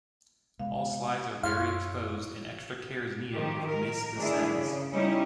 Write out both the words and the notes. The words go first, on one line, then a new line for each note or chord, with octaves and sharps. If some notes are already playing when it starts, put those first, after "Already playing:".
All sides are very exposed, and extra care is needed if mist descends.
C3 G#3 B3 F5
F#2 E4 C#5 F5 C6
D#3 F3 G4
A#4
D#3 A3 D4 E4 G#4
C#3
G3 C#4 D#4 E4 G4